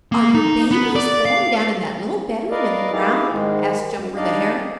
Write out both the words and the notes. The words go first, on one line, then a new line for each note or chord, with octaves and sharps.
"Are your babies born down in that little bedroom in the ground?" asked Jumper the Hare.
A#3
D#4
B3
D5
F5
A#4 B4 D5 D#5 F5
D#4 E4 G4 G#4 F5
G#2 D#3 G#3
F#2
G3 D4 D#4 D5 D#5 F5